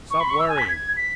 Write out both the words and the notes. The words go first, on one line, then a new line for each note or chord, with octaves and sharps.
"Stop worrying!"
C#6
B5
C#6
E6
G#5
B6
G#6
B6